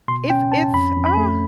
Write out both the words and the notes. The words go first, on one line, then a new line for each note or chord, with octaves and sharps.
it's it's, uh
B2 C6
C#4 G5
C#4 A5
F2 B5
F2
B5
A3